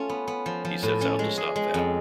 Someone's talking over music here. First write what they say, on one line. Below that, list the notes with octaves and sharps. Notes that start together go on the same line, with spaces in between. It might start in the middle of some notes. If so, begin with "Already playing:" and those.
He sets out to stop that.
Already playing: A3 C#4 F4
B3
B3
F3
F3
A2
C#4
G#3
G#4
G#3
F2